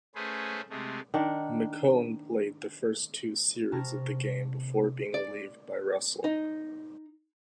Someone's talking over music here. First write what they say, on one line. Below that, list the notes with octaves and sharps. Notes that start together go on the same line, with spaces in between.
McCown played the first two series of the game before being relieved by Russell.
A3 C#4 G#4 B4 C5
C3 G#3 A3
D#3 D4 F#5
C3 A5 A#5 C#6 F6 A#6
D5
D#4